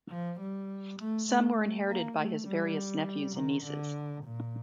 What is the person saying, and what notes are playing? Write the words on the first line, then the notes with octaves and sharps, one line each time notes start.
Some were inherited by his various nephews and nieces.
F3
G3
A3
A3
A3
A#3
A3
G3
D#3
D3
A#2